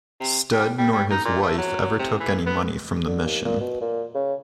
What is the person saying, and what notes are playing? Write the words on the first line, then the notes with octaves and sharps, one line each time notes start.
Studd nor his wife ever took any money from the mission.
C3
G3
G3
G3
D#4
A#2
A3
F#3
C3
E3
B3
D3
D#2
A#2
B2
A#2
C#3